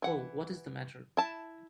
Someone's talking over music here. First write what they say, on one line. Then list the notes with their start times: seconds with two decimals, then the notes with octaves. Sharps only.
Oh, what is the matter?
0.02 E3 F#5
1.17 E4 A5